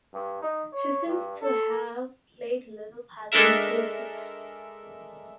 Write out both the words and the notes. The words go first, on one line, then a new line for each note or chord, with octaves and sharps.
She seems to have played little part in politics.
G2
D#4
C#5
G2
A4
G#3 D4 A4 A#4 E5